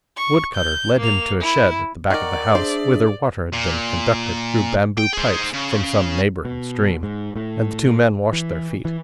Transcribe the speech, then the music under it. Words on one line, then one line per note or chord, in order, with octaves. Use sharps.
The woodcutter led him to a shed at the back of the house, whither water had been conducted, through bamboo-pipes, from some neighboring stream; and the two men washed their feet.
C#6
G6
A#3 F7
E4
D#3 A#4 D5 D#5 F#5 C#6 D6
D4 G#4 C5 E5
A#2
G5
G#4 C5
C#3
B2
G#2
A2
E3
E3